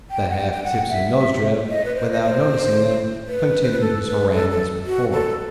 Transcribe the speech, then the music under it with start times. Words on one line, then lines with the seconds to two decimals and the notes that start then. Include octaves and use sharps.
The half-tipsy Nozdrev, without noticing them, continued his harangue as before.
0.10 G5
0.30 F#5
0.37 G5
0.52 G5
0.64 F#5
0.90 E5
1.69 D#5
1.85 B4
1.95 C5
2.12 D#5
2.22 C5
3.27 B4
3.63 C5
3.71 B4
3.80 A4
4.07 B4
4.33 A4
4.51 A4
4.86 F#4
5.13 A4